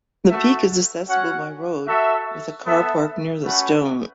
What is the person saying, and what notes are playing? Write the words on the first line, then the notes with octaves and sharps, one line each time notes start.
The peak is accessible by road, with a car park near the stone.
A3 F#4 A4 E5
C#4 F#4 C#5 F#5
F#4 A4 E5
B3 A4 E5
A3 C#4 F#4 B4 F#5